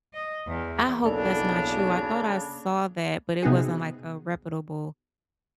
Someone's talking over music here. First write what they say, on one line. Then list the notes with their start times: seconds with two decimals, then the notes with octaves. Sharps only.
I hope that's not true. I thought I saw that, but it wasn't, like, a reputable
0.14 D#5
0.48 E2
1.05 B1 E2 C#3 A#3 D4 A4 D5
3.42 C3 B3 D#4 F#4 G#4